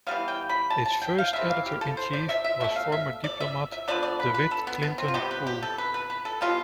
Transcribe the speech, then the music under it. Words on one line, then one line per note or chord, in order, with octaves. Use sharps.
Its first editor-in-chief was former diplomat Dewitt Clinton Poole.
E3 G3 B3 F5
G5
B5
A5
A5
G5
F5
C3 E3 B3 E5
F5
G4
A4
C5
D5
E5
E5
B2 A3 E5
F5
E5
D5
E5
E5
D3 F3 B3 D5
D5
B4
B4
A4
B3
B3
C4
F4
C3 G3 B3 G4
B4
G4
A4
B4
B4
B4
A4
B2 G3 B3 F4